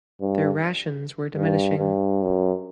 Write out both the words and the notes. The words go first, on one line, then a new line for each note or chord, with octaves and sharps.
Their rations were diminishing.
G2
G2
G2
F#2